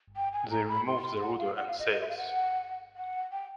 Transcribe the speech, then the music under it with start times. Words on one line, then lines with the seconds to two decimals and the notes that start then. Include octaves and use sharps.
They removed the rudder and sails.
0.16 G5
0.33 G#5
0.51 A#5
0.69 B5
0.87 C6
1.03 C6
1.21 F#5
1.39 F5
1.57 F#5
1.68 F5
1.80 D#5
1.92 D#5
2.01 E5
2.09 F5
2.17 F#5
2.97 F#5
3.32 G5